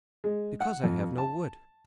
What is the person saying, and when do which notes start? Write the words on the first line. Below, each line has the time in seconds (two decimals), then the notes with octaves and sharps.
"Because I have no wood."
0.24 G#3
0.60 F#5
0.84 F2
1.18 A5